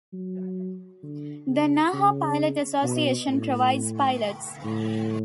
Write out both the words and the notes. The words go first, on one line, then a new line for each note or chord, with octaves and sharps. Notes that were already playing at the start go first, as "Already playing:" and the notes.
The "Naha Pilot Association" provides pilots.
F#3
D3
C#3
C#3
B2
A2
A2